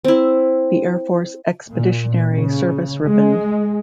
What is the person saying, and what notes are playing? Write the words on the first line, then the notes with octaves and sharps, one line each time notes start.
The Air Force Expeditionary Service Ribbon.
C4 E4
A#2
C#3
G#3